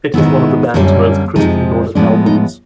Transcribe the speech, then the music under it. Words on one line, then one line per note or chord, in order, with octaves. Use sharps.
It is one of the band's most critically lauded albums.
G#2 D#3 G#3 B3 E4
F#2 D3 G3 A#3 C#4
F2 C3 F3 G#3 D#4
A2 F3 G#3 B3 D4
D#4